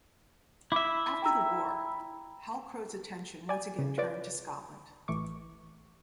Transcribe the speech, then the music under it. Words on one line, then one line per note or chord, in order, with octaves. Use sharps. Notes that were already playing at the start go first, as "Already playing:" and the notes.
After the war, Halcrow's attention once again turned to Scotland.
E4 E5 D6
G5 A#5 E6
D5 G#5
C#3
F4 B4 C#5 D5
A1 E3 A3 C#6 D6